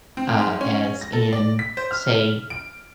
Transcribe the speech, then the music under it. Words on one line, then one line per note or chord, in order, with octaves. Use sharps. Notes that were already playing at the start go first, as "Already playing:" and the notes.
uh, as in, say,
C4
G#2
C#4
A#6
A4
D5
B6
C5
F6
D7